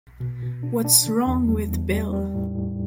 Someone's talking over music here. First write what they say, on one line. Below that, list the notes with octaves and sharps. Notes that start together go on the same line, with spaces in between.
What's Wrong with Bill?
B2
B2
D4
D4
D3
E2
G3
E2
G3
G3
A2
A2